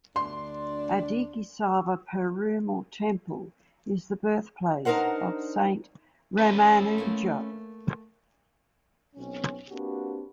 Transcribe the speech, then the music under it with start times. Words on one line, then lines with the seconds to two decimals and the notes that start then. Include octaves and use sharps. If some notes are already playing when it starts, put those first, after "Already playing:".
Adikesava Perumal Temple is the birthplace of Saint Ramanuja.
0.16 D2 D4 C6
4.85 D4 D#4 G4 A#4 C5 F#5
6.38 C#4 B4
6.98 A3 A#3
9.15 B1 B2 C4 C#4
9.70 A#3 C4 D4 F#4 G4 B4